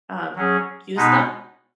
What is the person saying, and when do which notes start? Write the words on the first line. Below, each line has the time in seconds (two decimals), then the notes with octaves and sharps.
um, use them-
0.35 F#3 C#4 G#4
0.96 B2 G#3 B3 D#4